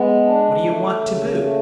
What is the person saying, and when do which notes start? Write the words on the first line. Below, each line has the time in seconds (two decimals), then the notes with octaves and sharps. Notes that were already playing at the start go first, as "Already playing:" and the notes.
What do you want to boot?'
Already playing: G#3 B3
0.25 D4
0.64 A3
1.00 C#3
1.38 A3